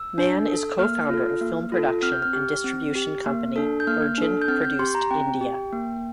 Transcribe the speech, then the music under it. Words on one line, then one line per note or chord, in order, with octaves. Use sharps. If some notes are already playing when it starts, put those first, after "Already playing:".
Mann is co-founder of film production and distribution company Virgin Produced India.
Already playing: E6
D4
A4
A#3 F6
F4 A4
A#3
F4 A4
C4 F6
G6
F6
G4
C4
G4
A#3
D4 A4
G6
A#3 F6
D4 A4
G6
C4 F6
G6
G4 C6
A#5
C4 G5
G4
A#3